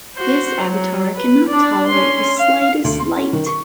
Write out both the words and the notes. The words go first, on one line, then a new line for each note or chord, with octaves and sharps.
This avatar can not tolerate the slightest light.
F#4 C5
F#3
B4
D4 D5
C#4 C6
F5
D2
C6
C#4
D#3
C#6